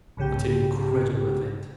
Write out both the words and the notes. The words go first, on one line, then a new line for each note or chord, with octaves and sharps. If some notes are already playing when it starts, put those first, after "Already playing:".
"What an incredible event!"
B1 G#2 C#3 G4 G5